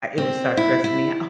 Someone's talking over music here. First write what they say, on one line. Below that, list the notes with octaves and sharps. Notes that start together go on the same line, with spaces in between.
I it will start stressing me out.
C4
E4
E4